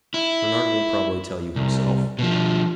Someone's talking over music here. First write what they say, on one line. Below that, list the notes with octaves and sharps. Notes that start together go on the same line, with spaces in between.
Bernard will probably tell you himself.
E4
C2
B2 F3